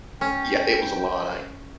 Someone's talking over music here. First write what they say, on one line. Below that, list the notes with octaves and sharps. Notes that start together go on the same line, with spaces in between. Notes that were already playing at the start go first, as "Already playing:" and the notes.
Yeah, it was a lot. I
C#4 G5